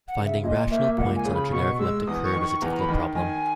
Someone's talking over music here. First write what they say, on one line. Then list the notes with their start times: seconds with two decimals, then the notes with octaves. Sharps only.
Finding rational points on a general elliptic curve is a difficult problem.
0.08 F#5
0.16 C#3
0.26 E5
0.44 A#2 D#5
0.71 A#3 E5
0.97 C#2 F#5
1.16 G#5
1.25 C#3
1.34 B5
1.52 B2 C#6
1.79 G#3 E6
2.07 E2 D#6
2.24 C#6
2.33 D#3
2.43 C#6
2.61 E2 A#5
2.79 B5
2.89 D#3
3.15 D#3 G#5